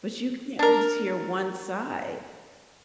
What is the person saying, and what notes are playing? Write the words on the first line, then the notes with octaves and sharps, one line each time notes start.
but you can't just hear one side.
D4 A#4